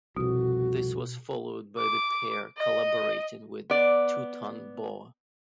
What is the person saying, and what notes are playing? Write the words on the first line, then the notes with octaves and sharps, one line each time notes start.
This was followed by the pair collaborating with Two Ton Boa.
C2 F2 B2 F#4
D6
D#5
B3 D5